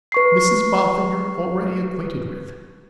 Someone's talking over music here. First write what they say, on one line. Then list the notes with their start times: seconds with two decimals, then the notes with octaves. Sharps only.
'Mrs Boffin you're already acquainted with.
0.12 B4 C#6 C7